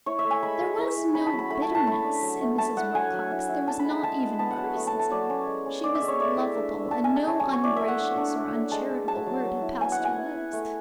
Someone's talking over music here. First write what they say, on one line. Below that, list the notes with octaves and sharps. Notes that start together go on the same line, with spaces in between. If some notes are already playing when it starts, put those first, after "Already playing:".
There was no bitterness in Mrs. Wilcox; there was not even criticism; she was lovable, and no ungracious or uncharitable word had passed her lips.
E4 C#5
E5
A3
G#5
G#3 B5
G#3
E4
E4
C#4 B5
A5
F#3
B5
A3 B5
A5
E4
A5
A3 B5
D4
F#3
A3
A3 A5
E4 F#5
F#3 G#5
F#3
E4
E4
D4 A5
B5
G#3
B5
G#3 A5
G#3
B3 A5
F#5
F#3
A3
A5
A3
A5
F#3 D5
C#4
G#3
C#4
G#3 D5
E5
G#3
C#5
A3 D5
E4
D4
D4
D4 A5
G#5
G#3
A5
C#4 A5
G#5
F#3
C#5
E4 D5
A3 E5
F#5
D4
D4
A3
A3
G#3 A5
G#3
F#3 A5
F#3
F#3
E4
B3 G#5
F#5
E4
G#5
E4
E4
A3